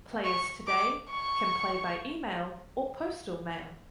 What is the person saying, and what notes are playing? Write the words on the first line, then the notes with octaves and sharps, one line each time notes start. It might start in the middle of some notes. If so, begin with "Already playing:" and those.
Players today can play by email or postal mail.
C#6
D6
C#6